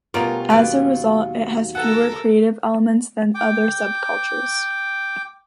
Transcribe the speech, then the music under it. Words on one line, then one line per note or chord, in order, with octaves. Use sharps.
As a result, it has fewer creative elements than other subcultures.
B2 G3 A3 C#4 F4 A#4
D#2 F#3 B4 D5
A4 A#4 F#5
G5 D6